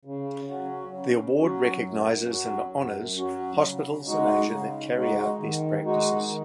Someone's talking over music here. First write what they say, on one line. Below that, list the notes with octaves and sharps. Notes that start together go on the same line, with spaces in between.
The award recognises and honours hospitals in Asia that carry out best practices.
C#3
F#3 C#4 F#4
C#3
F#3 C#4 F#4
F#2
F#3 C#4 F#4
F#2
F#3 C#4 F#4
C#3
G#3 D#4 F#4
C#3
G#3 D#4 F#4
D#3
G#3 D#4 F#4
D#3